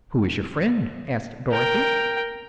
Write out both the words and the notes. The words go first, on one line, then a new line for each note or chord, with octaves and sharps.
"Who is your friend?" asked Dorothy.
A#4 G5